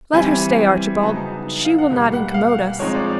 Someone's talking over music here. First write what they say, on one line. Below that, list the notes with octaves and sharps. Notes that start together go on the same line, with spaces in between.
"Let her stay, Archibald; she will not incommode us."
E3 G3 C4 G#5
C#3 F#3 B3 D#4 A5
F5
F#5
B2 G3 A#3 G5
F#5
F5
F3 G#3 C4 D#4 C#5
D5